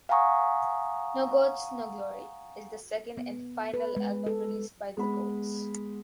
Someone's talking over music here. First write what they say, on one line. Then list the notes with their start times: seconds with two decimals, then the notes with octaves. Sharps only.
"No Goats, No Glory" is the second and final album released by The Goats.
0.09 F5 F#5 G#5 A#5 C#6 D#6
3.17 B3
3.74 B4
3.96 G#3
4.27 A4
4.97 G#3 B3 B5